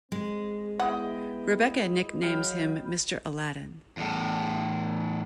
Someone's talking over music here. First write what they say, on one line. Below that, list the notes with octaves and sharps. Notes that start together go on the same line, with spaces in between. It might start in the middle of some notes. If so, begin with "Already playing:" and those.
Rebecca nicknames him "Mr. Aladdin".
G#3 C4
B3 E4 D#5 F#5 G5
F#3 F5 G5 B5
E2 A2